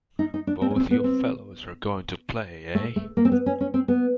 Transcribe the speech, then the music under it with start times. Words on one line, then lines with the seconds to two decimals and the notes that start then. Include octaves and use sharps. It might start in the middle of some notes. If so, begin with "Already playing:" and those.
Both you fellows are going to play, eh?
0.19 D#4
0.34 D#4
0.47 D4
0.62 C4
0.71 C#4
0.76 C4
0.91 B3
1.04 C4
2.75 A3
2.96 A3
3.17 A#3
3.25 C4
3.32 B3
3.46 C#4
3.61 C#4
3.74 C4
3.88 B3